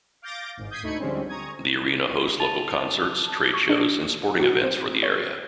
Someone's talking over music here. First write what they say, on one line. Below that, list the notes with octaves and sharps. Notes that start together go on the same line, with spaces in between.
The arena hosts local concerts, trade shows and sporting events for the area.
F5 D6 G6 A6 A#6 D7
G#1 G#2
D#6 G6 G#6 B6 C7 D#7
D2 A3 D#4 B5 G#6 C#7
D3 F3 G3 G#3 C4 C#4
A#5 C#6 D#6 G#6
A5 A6 F7
C#6
D4
F#4
C4
C#5